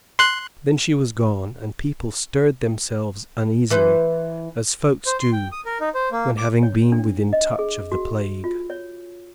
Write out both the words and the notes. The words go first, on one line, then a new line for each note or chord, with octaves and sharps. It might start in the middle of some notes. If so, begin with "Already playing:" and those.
Then she was gone; and people stirred themselves uneasily, as folks do when having been within touch of the plague.
C6 F#6
E3 B4 C5
C5
C6
G5
D#6
A#4
D#4
C5
A#3
D6
C#5
D4
D#5
G#4
F#4
F4
C#5